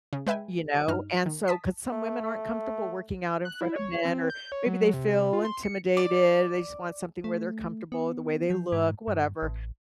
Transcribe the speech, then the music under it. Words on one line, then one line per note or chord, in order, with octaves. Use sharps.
you know? And so 'cause some women aren't comfortable working out in front of men or maybe they feel intimidated, they just want something where they're comfortable, the way they look, whatever.
C#3
G#3 B4 E5 G5 G#5
G2 D#4 F6
D#3
A5 D#6 B6
A3
F#6
E4
C#5
C4
G6
C#5
F#3
C3
C3
F4
C6
C#7
D5
A3
B3
F3
G#2
G2
A1